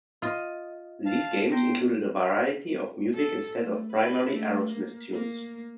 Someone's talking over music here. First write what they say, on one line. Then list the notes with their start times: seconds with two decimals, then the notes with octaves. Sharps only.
These games included a variety of music instead of primarily Aerosmith tunes.
0.22 F4 D#5
1.06 F5 A5
1.52 B3 G5 C6
3.13 A4
3.58 A3
3.92 B4
4.31 A3
4.71 A#3
5.12 A#3